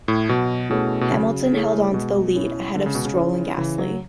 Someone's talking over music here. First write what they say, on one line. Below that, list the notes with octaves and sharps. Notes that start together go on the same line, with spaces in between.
Hamilton held on to the lead ahead of Stroll and Gasly.
A2
B2 F#3
B2 A3 C#4 E4 G#4
B2
C#3 F#3
A3 C#4 E4 G#4
B2 G#3
C#4 E4
D3 G#3
C#3
B2
C#3
C#4 E4
C#3 E3
F#3